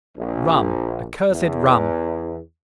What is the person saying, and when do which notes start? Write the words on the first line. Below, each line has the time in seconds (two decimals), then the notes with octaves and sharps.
RUM, accursed RUM!
0.17 A#1
1.31 E2